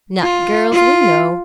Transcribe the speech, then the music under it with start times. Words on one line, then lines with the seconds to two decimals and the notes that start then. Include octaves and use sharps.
"Not girls we know."
0.23 F4
0.72 F4